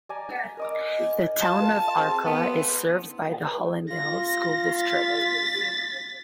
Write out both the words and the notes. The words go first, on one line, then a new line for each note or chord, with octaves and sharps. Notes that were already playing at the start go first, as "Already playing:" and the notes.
The Town of Arcola is served by the Hollandale School District.
D5 G#5 A#5
A#4 D#5 D6
F4 F5 A5
C4 G#4 A4
B3
F4 A#6
A6 B6